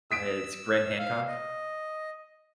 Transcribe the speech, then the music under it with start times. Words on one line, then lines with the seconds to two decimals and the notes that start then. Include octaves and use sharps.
Uh, it's Graham Hancock?
0.11 D#6 E6 B6 D7
0.99 F5
1.28 D#5